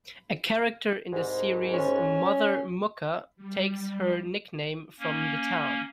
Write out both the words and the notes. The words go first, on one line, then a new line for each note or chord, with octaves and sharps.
A character in the series, Mother Mucca, takes her nickname from the town.
C2 G#2
C#4
G3
A#3 C#4